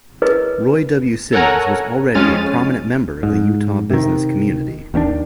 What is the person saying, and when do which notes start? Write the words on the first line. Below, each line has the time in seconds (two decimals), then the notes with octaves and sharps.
Roy W. Simmons was already a prominent member of the Utah business community.
0.22 E4 G#4 A#4 B4 C#5 D#5
1.33 A4 A#4 C#5 F#5 G#5 A#5
2.15 F2 G#3 C#4 F6 A6 D#7
3.23 G#2
3.90 C3 D#3
4.94 D#2 D#3 C#4 D4